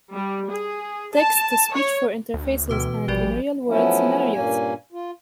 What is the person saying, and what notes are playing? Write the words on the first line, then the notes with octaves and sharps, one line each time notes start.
Text to speech for interfaces and in real-world scenarios.
G3
G#4
A5
C#5
D2
B2 E3 B4 D6
A1 F3 G3 F#4 D5
F3 F#3 A3 B3 C#4 E4
G2 A#2 A#3 C#4 G#5
F4